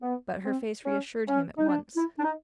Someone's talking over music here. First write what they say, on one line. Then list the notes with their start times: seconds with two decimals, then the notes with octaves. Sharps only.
But her face reassured him at once.
0.02 B3
0.43 C4
0.85 C#4
1.27 C#4
1.57 D#4
1.69 D4
1.96 E4
2.19 D4
2.23 D#4